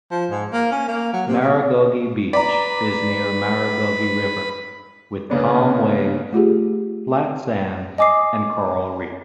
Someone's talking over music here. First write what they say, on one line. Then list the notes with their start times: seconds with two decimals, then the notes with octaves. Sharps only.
Maragogi beach is near Maragogi River, with calm waves, flat sands and coral reefs.
0.11 F3
0.31 G#2
0.53 A#3
0.72 C#4
0.88 A#3
1.13 F#3
1.28 C3
1.40 C3
2.33 B4 D5 A#5 B5
5.30 C#3 A#3 B3 C#4 D4
6.33 A3 F4 G4 G#4
7.98 D#5 G#5 D6 D#6 C7